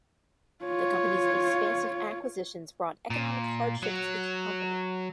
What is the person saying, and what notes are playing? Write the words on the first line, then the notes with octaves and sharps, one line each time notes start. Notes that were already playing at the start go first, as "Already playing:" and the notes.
The company's expansive acquisitions brought economic hardship to the company.
F4 C#5
A#2
F#3